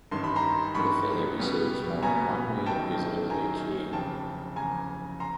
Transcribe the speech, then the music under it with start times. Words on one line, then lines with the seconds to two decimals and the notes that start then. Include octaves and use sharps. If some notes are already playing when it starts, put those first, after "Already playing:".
The Fair receives more than one million visitors each year.
0.11 A1 G2 D#3 C6
0.24 B5
0.36 A#5 C6
0.75 A1 G2 D#3 B5 C#6
1.39 C#2 B2 G3 B3
2.03 C#2 B2 G3 B3 G#5 A#5
2.66 G1 F#2 D#3 G5 A5
3.30 G1 F#2 D#3 G#5 A#5
3.93 F1 E2 C#3 G5 A5
4.56 F1 E2 C#3 G#5 A#5
5.20 A#5 C6